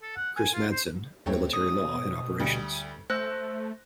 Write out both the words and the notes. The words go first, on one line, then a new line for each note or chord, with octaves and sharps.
Chris Madsen, "Military Law and Operations".
A4
F#5
G#5
F4
C5
D#2 A3 C4 C#5
B2 D#6
D2 G3
A3 C5 E6 F#6 A#6